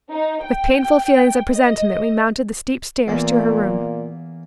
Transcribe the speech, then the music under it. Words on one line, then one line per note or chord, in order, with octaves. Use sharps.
With painful feelings of presentiment we mounted the steep stairs to her room.
D#4
G5
D#5
E2 A#2 A#3